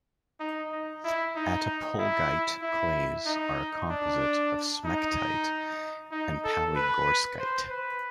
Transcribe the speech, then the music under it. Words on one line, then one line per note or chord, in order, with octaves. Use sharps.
Attapulgite clays are a composite of smectite and palygorskite.
D#4
D#4
E4
D#4
E4
E4
D#4
D4
D#4
D#4
A4
B4
C5
B4